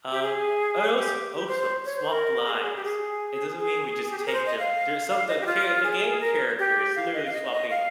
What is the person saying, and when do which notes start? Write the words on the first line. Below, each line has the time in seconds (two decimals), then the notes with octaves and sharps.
Um, I als also swap lives. It doesn't mean we just take the there's some the char the game character is literally swapping
0.11 G4
0.23 G#4
0.97 G4
1.35 G4
1.47 C5
1.59 C5
1.85 C#5
1.96 C5
2.10 A#4
2.47 G#4
2.54 A#4
2.62 G#4
2.76 G4
2.85 G#4
3.59 G#4
4.11 G4
4.19 G#4
4.26 A#4
4.33 C5
4.46 D#5
4.59 F5
5.09 F5
5.28 D#5
5.41 G4
5.46 F4
5.84 G#4
6.20 A#4
6.59 G4
6.96 F5
7.14 D#5
7.26 F5
7.33 D#5
7.52 D#5
7.70 F5